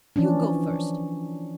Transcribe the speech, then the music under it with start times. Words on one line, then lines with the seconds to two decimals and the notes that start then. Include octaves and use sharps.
"You go first."
0.16 E3 F3 C#4 D4